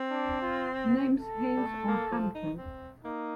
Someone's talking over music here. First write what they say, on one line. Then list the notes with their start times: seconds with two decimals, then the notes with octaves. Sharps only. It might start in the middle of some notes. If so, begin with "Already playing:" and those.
Name's Haines or Hampton.
Already playing: C4
0.10 D4
0.42 F4
1.18 A4
1.57 G3
1.65 A3
1.88 A#3
2.11 F3
2.35 D#4
2.58 C4
3.04 A#3 D#4